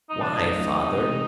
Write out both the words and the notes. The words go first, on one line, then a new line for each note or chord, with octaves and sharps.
"Why, father?"
C#3 F#3 A3 C#4 D#4 F4
D4
D#4
C3 E3 G#3 C4